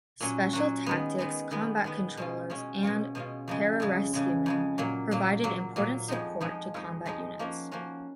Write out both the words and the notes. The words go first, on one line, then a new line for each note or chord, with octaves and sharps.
Special tactics Combat Controllers and Pararescuemen provided important support to combat units.
A#2 F#3 C#4 F#4
A#2 F#3 C#4 F#4
D#3 G#3 B3
D#3 G#3 B3
D#3 G#3 B3
D#3 G#3 B3
B2 G#3 C#4 F4
B2 G#3 C#4 F4
B2 G#3 C#4 F4
B2 G#3 C#4 F4
F2 C#3 G#3
F2 C#3 G#3
F2 C#3 G#3
F2 C#3 G#3
A#2 F#3 A#3
A#2 F#3 A#3
A#2 F#3 A#3
A#2 F#3 A#3
F2 F3 G#3 D#4
F2 F3 G#3 D#4
F2 F3 G#3 D#4
F2 F3 G#3 D#4
F3 A#3 C#4 F#4
F3 A#3 C#4 F#4